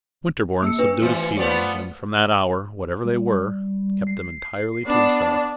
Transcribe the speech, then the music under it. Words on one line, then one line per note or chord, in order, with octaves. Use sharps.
Winterborne subdued his feelings, and from that hour, whatever they were, kept them entirely to himself.
A#3 E6 C#7
D4 B4
E3 F3 A3 C#7
F3 B3 D5
G3
C7
B3 D4
A5